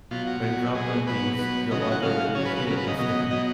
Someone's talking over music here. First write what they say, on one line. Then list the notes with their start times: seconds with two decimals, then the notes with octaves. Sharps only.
When dropped on these, the water will "heal" the stone.
0.11 B2 F#3 F4
0.27 F#4
0.43 B2 F#3
0.75 B2 F#3 G#4
1.07 B2 F#3 B4
1.39 B2 F#3 B4
1.71 C#3 F#3 D#5
1.82 D#5
1.92 F#5
2.03 C#3 F#3 F5
2.35 C#3 C#5
2.39 F#3
2.45 B4
2.56 B4
2.67 C#3 A#4
2.71 F#3
2.77 B4
2.88 D#5
2.98 B2 F#3 D#5
3.31 B2 F#3 D#5